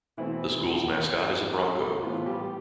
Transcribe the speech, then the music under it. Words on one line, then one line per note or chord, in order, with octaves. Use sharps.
The school's mascot is a Bronco.
B2 E3 A3 C4 E4
A2 E3 F3 B3 F4
G3 G4